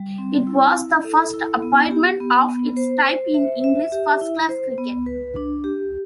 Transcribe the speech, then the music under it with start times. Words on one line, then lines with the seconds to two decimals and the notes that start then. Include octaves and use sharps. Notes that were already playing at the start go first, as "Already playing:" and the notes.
It was the first appointment of its type in English first class cricket.
Already playing: G3
0.18 C4
0.47 E4
0.76 E4
1.04 A4
1.33 E4
1.62 B3
1.91 G4
2.20 B3
2.49 B3
2.77 C5
3.06 C5
3.34 E5
3.64 E5
3.92 G4
4.21 E4
4.49 C5
4.78 B3
5.06 B4
5.36 D4
5.64 G4